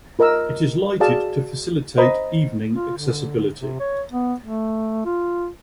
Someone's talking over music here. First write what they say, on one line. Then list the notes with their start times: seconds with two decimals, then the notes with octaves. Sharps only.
It is lighted to facilitate evening accessibility.
0.19 F4 A#4 D#5 A#5 E6
1.00 F#4 G#4 D5 F5 A5
1.98 C5 D#5 A#5 B5
2.76 F4
2.97 D3
3.59 C3
3.79 C#5
4.12 B3
4.42 A3
5.05 F4